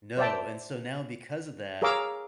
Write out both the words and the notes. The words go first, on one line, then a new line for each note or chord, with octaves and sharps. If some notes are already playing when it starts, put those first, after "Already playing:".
No, and so now because of that,
C5 D5 E5 G5 A5
G#4 A#4 C#5 F5 D6 E6